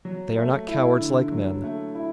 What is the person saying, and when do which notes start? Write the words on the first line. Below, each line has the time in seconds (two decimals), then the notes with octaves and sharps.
They are not cowards, like men.
0.05 F#3
0.37 A3
0.68 E4
1.00 D3
1.32 F#3
1.64 A3
1.95 E4